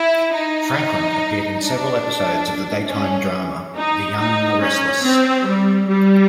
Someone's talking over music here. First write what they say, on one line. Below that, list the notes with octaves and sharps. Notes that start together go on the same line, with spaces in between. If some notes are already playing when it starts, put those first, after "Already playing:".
Franklin appeared in several episodes of the daytime drama "The Young and the Restless".
Already playing: E4
D#4
D4
C#4
D#4
D#4
C#4
C4
G3
G3